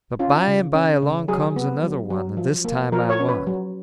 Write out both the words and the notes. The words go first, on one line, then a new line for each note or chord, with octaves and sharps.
But by and by along comes another one, and this time I won.
C#4 F4
C#3
C#4
C#3
F#3 G#4
B3
F#3
F#3
F3
A#3
F3 A#4
C#5
C#4
B4
F#3